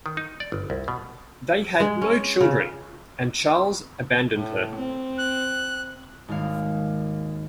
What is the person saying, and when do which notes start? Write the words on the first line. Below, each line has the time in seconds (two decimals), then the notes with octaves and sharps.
They had no children and Charles abandoned her.
0.06 D#3
0.17 D#4
0.40 D5
0.52 G1
0.70 C2
0.88 B2
1.80 G#3
2.02 C#4
2.41 C#3
4.36 A2
4.76 C4
5.18 F#6
6.28 G#1 D#2 G#3 F5